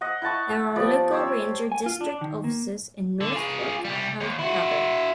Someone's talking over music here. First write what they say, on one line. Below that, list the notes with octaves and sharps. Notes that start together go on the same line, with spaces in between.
There are local ranger district offices in North Fork and Prather.
D#5 F#5
E4 F#5 A5 C#6
F3 G3 B3 D5
G4 C5 C#5 E6
G#5
F4
D4
D#3
A#3
D3
F4 G#4
C2 G3
D#2
E4 F#4